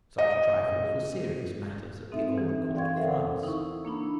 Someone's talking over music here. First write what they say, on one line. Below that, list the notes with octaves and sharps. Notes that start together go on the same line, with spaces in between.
Such trifles were serious matters at the old court of France.
D#5
C4 D#4 A4 E5
E3
D5 F5 G5 C6 C#6 G#6
A4 A#4 C5 E5 F#5
D#4 E4 C#6
A#3 D4 E4 B5